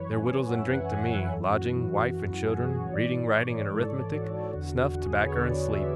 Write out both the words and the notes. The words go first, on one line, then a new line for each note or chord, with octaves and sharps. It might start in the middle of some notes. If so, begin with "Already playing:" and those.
They're wittles and drink to me--lodging, wife, and children--reading, writing, and Arithmetic--snuff, tobacker, and sleep.'
Already playing: F#2 E3 B4 C#5
F#2 E3 G#5
F#5
F#2 E3 E5
F#5
G#5
F#2 E3 F#5
F#2 E3 A4
F#4
F#2 E3
F#2 E3
G#4
F#2 E3 F#4
G#4
C#5
G#2 E3 D5
G#2 E3 C#5
G#2 E3 A4
G#2 E3 F#4
A4
E2 D3 F#4
E2 D3 F#4
G#4
B4
C#5
E2 D3 D5
D3 E5